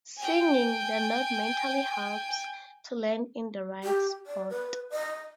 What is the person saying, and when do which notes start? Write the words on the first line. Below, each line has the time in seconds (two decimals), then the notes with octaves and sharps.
"Singing" the note mentally helps to land in the right spot.
0.17 G5 G#5
3.84 G4
4.27 D5
4.50 B4
4.90 D#5